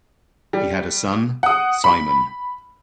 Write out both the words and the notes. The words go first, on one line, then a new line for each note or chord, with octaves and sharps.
He had a son, Simon.
G3
F#5 D#6
B5